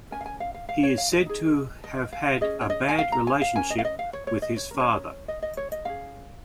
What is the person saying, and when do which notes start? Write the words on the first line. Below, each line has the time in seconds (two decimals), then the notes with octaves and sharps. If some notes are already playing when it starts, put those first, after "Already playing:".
He is said to have had a bad relationship with his father.
0.11 C#4 A#4 G#5
0.21 F5
0.26 G#5
0.40 F5
0.54 F5
0.69 F5
0.83 C#5
0.98 F5
1.12 D#5
1.26 D#4 G#4
1.84 D#5
2.13 F5
2.41 C#4 G#4 D#5
2.61 C#5
2.70 D#5
2.89 G#5
2.99 F5
3.12 A#5
3.27 G#5
3.42 F5
3.56 C#4 A#4 G#5
3.70 D#5
3.79 F5
3.85 D#5
3.99 F5
4.13 C#5
4.27 C#5
4.42 D#5
4.56 C#5
4.71 C#4 A#4
4.80 C#5
5.28 D#5
5.42 D#5
5.57 C#5
5.72 D#5
5.85 C#4 G#4 F5